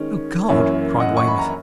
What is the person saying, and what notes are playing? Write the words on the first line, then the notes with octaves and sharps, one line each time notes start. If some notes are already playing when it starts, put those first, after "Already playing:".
"Oh, God!" cried Weymouth.
Already playing: D#3 G#3 C#4
F#2 E3 A#3 C#4 C#5 E5
D#5 F#5
C#6
B5
A#5